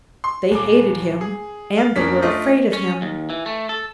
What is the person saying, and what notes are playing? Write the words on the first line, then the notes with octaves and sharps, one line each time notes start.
They hated him, and they were afraid of him.
C6
D#1 D6
G#4
F5
F2 A#3 C#4 D4 B6
A3 D4 F4 D#5
C#4
D#2
E3
A3
A4